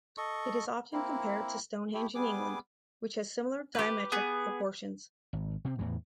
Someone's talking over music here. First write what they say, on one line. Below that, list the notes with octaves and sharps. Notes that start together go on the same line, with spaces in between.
It is often compared to Stonehenge in England, which has similar diametric proportions.
A4 D#5 C#6
A#3 C4 E4
A3 E4 G4
G3 B3 G#4 D6
G4 B4
B3 G#4
G#1
C3 C4
E2 A2 E3